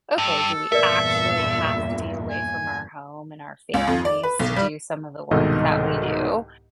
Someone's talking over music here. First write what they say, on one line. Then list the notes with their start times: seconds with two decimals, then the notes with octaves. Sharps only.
okay, do we actually have to be away from our home and our families to do some of the work that we do?
0.18 G2 A4
0.72 E2 G2 A#2 A#4 B4 D5 E5
2.30 G#5
3.74 C#2
3.87 F2
4.05 D5
4.23 B4
4.40 B1
4.56 G3
5.31 C2 G#2 B2 D#3 A4 D#5